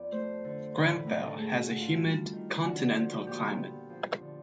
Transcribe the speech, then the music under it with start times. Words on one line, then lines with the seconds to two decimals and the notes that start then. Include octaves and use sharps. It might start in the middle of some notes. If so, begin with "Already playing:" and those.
Grenfell has a humid continental climate.
Already playing: F2 B3 D5
0.12 A3 C5
0.44 D3
0.75 A2 B4
1.06 A2 A#4
1.22 A4
1.38 A3 G#4
1.59 F#4
1.70 A3
1.80 F4
2.02 G3
2.33 D#3
2.63 D3 F#4
2.95 F3
3.27 A#2 G4
3.59 B3
3.89 F3
4.21 D3